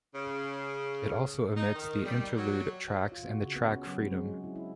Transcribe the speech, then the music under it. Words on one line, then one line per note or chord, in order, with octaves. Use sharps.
It also omits the Interlude tracks and the track Freedom.
C#3
D#4
D#3
G3
F#3
F4
F#4
C#3
B3
C#4
F#3
C4
G#3
F#4
E4
E4